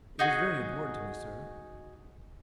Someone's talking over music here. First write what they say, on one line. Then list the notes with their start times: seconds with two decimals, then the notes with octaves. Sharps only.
"It is very important to me, sir."
0.19 D#4 F#4 G#4